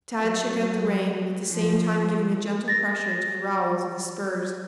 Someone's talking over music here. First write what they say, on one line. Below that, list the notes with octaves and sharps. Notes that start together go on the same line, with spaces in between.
Tad shook out the rein, at the same time giving a gentle pressure to the rowels of his spurs.
F#3
F3
A6 A#6